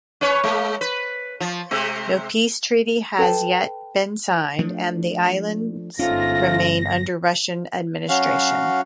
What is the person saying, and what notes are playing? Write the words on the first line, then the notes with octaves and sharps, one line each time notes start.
No peace treaty has yet been signed, and the islands remain under Russian administration.
C#4 B4 C#5
G#3 A#3
B4
F3
C3 G#3 C4
A4 B4 G5 A5
F3 A3 D4
G1 G#2 A3 C#4 F4 A#6
F#3 C#4 F#4 F5